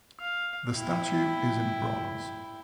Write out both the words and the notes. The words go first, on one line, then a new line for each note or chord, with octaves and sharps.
The statue is in bronze.
F5
E4 G5